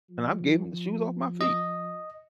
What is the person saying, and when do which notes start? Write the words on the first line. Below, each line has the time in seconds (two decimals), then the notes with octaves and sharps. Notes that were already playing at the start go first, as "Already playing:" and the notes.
and I've gave 'em the shoes off my feet,
0.10 F3
1.41 D#5